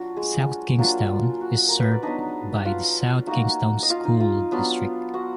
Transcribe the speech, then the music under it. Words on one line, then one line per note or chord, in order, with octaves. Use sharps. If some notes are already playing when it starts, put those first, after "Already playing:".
South Kingstown is served by the South Kingstown School District.
Already playing: F#3 D4 F4 F#4
G#3 G#4
F#3 A#3 D4 F4 A#4
F#4
A#4
B4
D5
F#3 B3 D4 D#4 D#5
F#5
F4 F5
A#3 D#4 F#4 F#5
D#5
F4 F5
D#4 D#5
F4 F5
F#3 B3 D4 F4
F#4 F#5